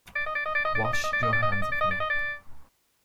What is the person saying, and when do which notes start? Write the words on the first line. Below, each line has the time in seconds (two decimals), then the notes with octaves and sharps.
Wash your hands of me.
0.16 D5
0.26 D#5
0.35 D5
0.46 D#5
0.55 D5
0.65 D#5
0.75 D5
0.84 D#5
0.93 D5
1.04 D#5
1.13 D5
1.23 D#5
1.33 D5
1.43 D#5
1.52 D5
1.62 D#5
1.72 D5
1.81 D#5
1.91 D5
2.00 D#5
2.10 D5